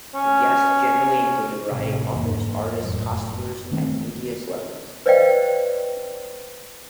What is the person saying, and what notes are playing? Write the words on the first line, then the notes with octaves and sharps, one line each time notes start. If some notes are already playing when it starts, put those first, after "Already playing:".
Guests generally include a variety of authors, artists, costumers and media celebrities.
C#4
A1 C3
F#1 E2 G#2 A#3
F1 F#2 A2
G1 D#3 A3 C4
B4 C5 D5 D#5 F5 G5